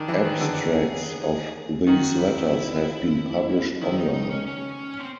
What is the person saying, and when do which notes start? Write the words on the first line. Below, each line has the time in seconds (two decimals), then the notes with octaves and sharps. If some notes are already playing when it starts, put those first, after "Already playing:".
Abstracts of these letters have been published on line.
Already playing: D#3 D4
0.08 E3
0.25 D#3
0.40 D3
0.57 G#4
1.22 G#4
1.87 D#3 F#4
2.19 E4
3.81 D#3 E4
3.98 D#4
4.13 D#4
4.30 C#4
4.46 C#4
4.99 C4